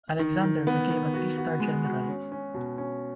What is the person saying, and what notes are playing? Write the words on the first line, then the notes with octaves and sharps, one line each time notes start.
Alexander became a three-star general.
D#3
D#3
B3
D#3
F#4
F#4
G#3
F#4
C#4
C#4
B2
C#4